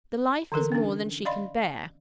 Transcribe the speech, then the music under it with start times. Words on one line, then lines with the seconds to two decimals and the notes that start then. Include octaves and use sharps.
The life is more than she can bear.
0.52 D3 E3 A4 A#4
0.72 C#4 D4
1.25 D5 D#5 F5 B5 C6